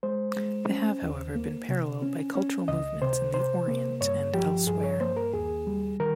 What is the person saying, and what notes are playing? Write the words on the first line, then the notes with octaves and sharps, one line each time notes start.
They have, however, been paralleled by cultural movements in the Orient and elsewhere.
G#3 C5
G#3
C#4
D#2
A#3
C3
C#4
C#4
C#2 D#5
C3 C5
C3 C5
A#3
G2 C#5
F3 G4
G2 G#4
C#5
A#3 C5
A#4
D#2 G#4
G3
D#3 A#4